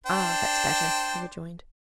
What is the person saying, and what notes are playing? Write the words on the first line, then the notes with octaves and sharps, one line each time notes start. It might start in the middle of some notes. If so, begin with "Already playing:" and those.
"Ah! that's better," he rejoined.
D4 C5 G5